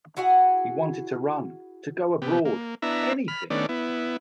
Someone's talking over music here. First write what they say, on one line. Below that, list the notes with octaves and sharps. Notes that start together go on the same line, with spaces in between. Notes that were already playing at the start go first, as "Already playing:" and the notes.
He wanted to run, to go abroad, anything.
E4 F#4 G#4 F#5
C3 B3 G4
A#3
B3 D4 E4 E5 A#5
B5 F6
D#3 A3 B3 C#4 D4 D5
B3 E4